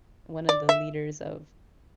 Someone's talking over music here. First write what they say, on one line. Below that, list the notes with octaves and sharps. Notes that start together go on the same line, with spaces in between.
one of the leaders of
D5
E5